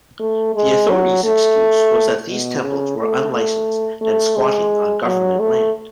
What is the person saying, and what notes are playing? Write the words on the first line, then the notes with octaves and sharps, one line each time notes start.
The authorities' excuse was that these temples were unlicensed and squatting on government land.
A3
G#3
F#3
A3
B2
C#3
A3
A3
A3
G#3
F#3
A3